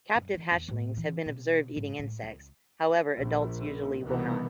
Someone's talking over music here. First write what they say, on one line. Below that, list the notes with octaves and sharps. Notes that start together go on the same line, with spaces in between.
Captive hatchlings have been observed eating insects; however, adults usually will not.
F#2
E3
E2
A2
E3
B2
G#2
A2
C#2
A#1
C2 B2 D#3 E3 B3